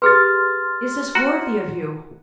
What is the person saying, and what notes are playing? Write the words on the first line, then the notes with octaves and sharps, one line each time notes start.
Is this worthy of you?
G4 G#4 B4 C6 F6 A6
F#4 A#5